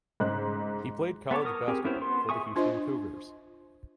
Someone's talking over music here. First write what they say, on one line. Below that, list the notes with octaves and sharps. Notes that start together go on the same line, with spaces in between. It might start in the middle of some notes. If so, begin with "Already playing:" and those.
He played college basketball for the Houston Cougars.
G#2 C#3 D#4 C5 F#6
B3 A4 C#5 D6
A#4 D#6
C4 G4 G#4 A#4
B3 C#4 E4 A#4 C5
B3 C6
G#4 E5 G#5 C#6 D#6
D4 F4 C5 D#5